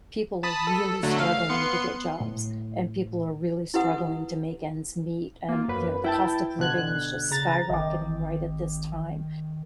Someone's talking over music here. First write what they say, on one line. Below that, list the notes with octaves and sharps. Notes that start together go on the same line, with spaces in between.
people are really struggling to get jobs, and people are really struggling to make ends meet, and, you know, the cost of living is just skyrocketing right at this time,
A5 B5 D#6
A4
D3 F#3 A3
F5
B3 C6 C#7
A2
E4 G4 B4 F#5 D#6
A#3 F4
F#2 B4
E4 G5 A5
B2 D3 F#6 G#6
C#3 A#5 A6
G#1 D#3 D#5 G5 D6